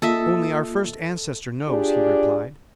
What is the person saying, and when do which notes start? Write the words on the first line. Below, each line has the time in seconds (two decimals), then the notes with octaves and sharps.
"Only our first ancestor knows," he replied.
0.02 A#3 F4 A4 D#5 E5
1.66 D4 F4 G4 G#4 D5